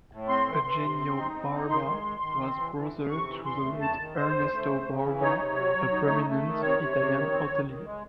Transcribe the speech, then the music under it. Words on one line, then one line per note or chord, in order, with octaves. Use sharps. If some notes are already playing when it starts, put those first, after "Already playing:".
Eugenio Barba was brother to the late Ernesto Barba, a prominent Italian hotelier.
A2
C4 C6
E3
E3
C3
C4
D#4
C4
D#4
D#3 C6
G#3
D#3
D#3
C4
E3
E3
C3
C3 C#6
E3
E2 C6
A3
E2 A5
D#3
G#3 C5
E2
A3
C#3
C#3
E3
D#4 C#5
C3
F#3
F#3
D#4
A3
A3
D#3
C3 C#5
C3
C3
D#3
C4
D#3
D#3
G#3